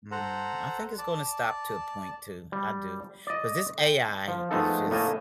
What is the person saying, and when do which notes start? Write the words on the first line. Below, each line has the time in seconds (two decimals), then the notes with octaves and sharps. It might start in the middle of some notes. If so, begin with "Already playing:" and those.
Mhm. I think it's gonna stop to a point too. I do. 'Cause this AI is just
0.11 A4 C5 F#5 A#5
0.98 D5 A5
2.52 G3
3.27 D5 D#5
3.78 G5
4.28 F3
4.51 F3 G#3 A3 B3 D#4 A4
4.90 A2 A3 A#3 D#5 G#5 A5